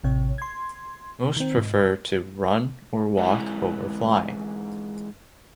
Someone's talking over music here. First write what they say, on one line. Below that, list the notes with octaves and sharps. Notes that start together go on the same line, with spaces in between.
Most prefer to run or walk over flying.
A1 C3 C#5
C6 G#6
D#3 C4
G#2
G#2 E3